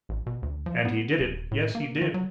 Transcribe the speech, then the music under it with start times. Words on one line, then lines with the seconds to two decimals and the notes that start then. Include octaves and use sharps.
And he did it; yes, he did!
0.09 A1
0.26 B2
0.42 D2
0.66 F3
0.85 B3
1.20 D#1
1.51 A2
1.75 A#3
2.01 D#3
2.14 F#3